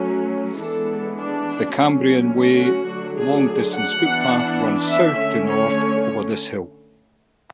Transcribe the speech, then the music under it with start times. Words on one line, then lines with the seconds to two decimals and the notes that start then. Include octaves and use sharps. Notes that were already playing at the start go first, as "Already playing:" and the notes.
The Cambrian Way long distance footpath runs south to north over this hill.
Already playing: F#3 A3 C#4
0.59 E3 G#3 B3 D4 A4
1.17 D4
1.74 D3 F#3 A3 C#4
2.60 F#4
2.89 D3 F#3 A3 D4
3.16 G#4
3.74 F#5
4.03 E3 B3 D4
4.89 E5
5.18 D3 A3 C#4
5.47 C#5